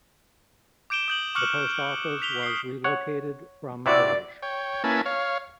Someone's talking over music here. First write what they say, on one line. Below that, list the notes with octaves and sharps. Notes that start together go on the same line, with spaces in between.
The post office was relocated from Breage.
D6 G6 D7 E7 G7
D#6 G6 F#7
C#6 D6 F6 F#6 C#7 F#7
B6 F7 G7
D#6 C7
C#5 F#5
C3 E4 F#4 D5
C#5 G5
A#3 C#4 E4 B4 G#5 A5
C#5 F5